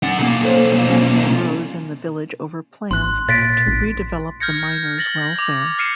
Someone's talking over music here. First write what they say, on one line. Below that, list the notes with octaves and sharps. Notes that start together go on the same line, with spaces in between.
Controversy arose in the village over plans to redevelop the Miners' Welfare.
C#4 F#5
B1 A#3
A4 C5 C#5
C#4 F5
C#4 F4
G#1 C6 F#6
A#2 A6 B6 D7
A1
F6 G6 G#6 A#6 C#7
A6 A#6 F#7 G7
D6
F6 C7 C#7 D#7 E7